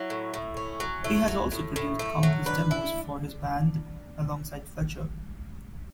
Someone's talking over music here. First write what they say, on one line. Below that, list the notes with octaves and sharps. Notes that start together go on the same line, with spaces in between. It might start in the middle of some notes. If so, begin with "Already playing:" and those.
He has also produced countless demos for his band, alongside Fletcher.
Already playing: F#3 E4
A2
A2
C#4
F#3
A3 E4
F#3
A2
A2
A3
F#3
D4 B4
E4